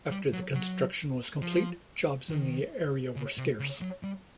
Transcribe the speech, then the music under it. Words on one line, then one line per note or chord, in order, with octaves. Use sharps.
After the construction was complete, jobs in the area were scarce.
G3
F#3
F#3
F3
D#3
C#3
C3
C#3
F#3
G3